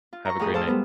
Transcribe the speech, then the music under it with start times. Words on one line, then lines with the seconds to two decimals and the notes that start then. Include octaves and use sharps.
Have a great night.
0.13 F4
0.25 A#5 C#6
0.39 F2 A2 G#4 D#6
0.54 A4 C5 F5 A5 D#6 E6
0.68 G3 G#3 B3